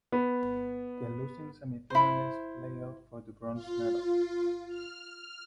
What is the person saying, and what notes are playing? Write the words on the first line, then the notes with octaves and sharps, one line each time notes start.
The losing semifinalists play off for the bronze medal.
B3
E4 C5
F4
F6